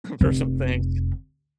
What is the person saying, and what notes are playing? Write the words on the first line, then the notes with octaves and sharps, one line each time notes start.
for some things.
F1